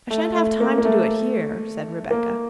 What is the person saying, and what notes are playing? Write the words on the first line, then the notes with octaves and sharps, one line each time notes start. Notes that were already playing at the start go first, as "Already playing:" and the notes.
"I shan't have time to do it here," said Rebecca.
A3
A3
A#3
A#3
A3
A#3